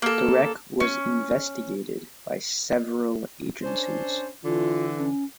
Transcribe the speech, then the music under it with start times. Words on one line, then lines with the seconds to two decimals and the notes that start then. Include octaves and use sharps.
The wreck was investigated by several agencies.
0.02 A#3 A4
0.80 C#4
3.63 C#4 D4 C5
4.44 D3 E3 F4
4.99 C#4